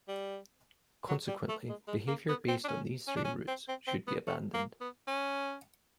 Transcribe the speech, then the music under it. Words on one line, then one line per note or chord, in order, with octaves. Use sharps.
Consequently, behaviour based on these three roots should be abandoned.
G3
F#3
G3
A3
G#3
G#3
A#3
B3
C4
D4
C#4
C#4
D4
C#4
C4
C4
C4
B3
A3
A#3
B3
C#4